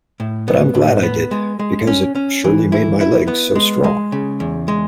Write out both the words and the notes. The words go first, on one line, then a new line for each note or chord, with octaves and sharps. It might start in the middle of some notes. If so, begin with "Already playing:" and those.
But I'm glad I did, because it surely made my legs so strong.
A2
B3
A2
B3
G#3
G#3
C#4
C#4
E3
E4
E4
B3
G#3
G#3
C#3
E2
G#3